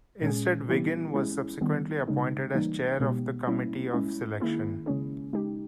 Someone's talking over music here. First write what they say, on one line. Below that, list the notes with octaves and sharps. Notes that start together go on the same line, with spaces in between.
Instead Wiggin was subsequently appointed as Chair of the Committee of Selection.
A#2 G#3 C#4 G#4
E3 G3 B3 E4 G4
G#3 C#4 E4 G#4
D#3 G3 B3
C#3 G#3 D#4
E3 G3 A#3 D#4
B2 G#3 B3 G4
G3 A#3 C#4 E4
G#3 C#4 E4
D#3 A#3 E4 G#4
C#3 G#3 C#4 G#4
G#3 D#4 G4